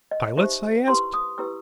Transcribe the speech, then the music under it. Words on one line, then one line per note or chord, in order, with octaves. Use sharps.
"Pilots?" I asked.
D#5
D#4 G4 C5 E5
E4 G4 B4 C6
D#6
E4 G4 B4 E6